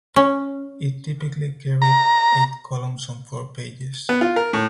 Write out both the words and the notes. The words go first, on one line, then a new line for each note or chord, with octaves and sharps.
It typically carried eight columns on four pages.
C#4
A#5
B3
F4
A#4
A2